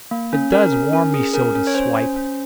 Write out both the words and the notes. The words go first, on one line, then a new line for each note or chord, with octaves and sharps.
"It does warm me so to swipe."
A#3
C#4
C#4 A#4
C#4
C#4
G#4
C#4 A#4
C#4
C#5
C#4 C5
C#4
C#4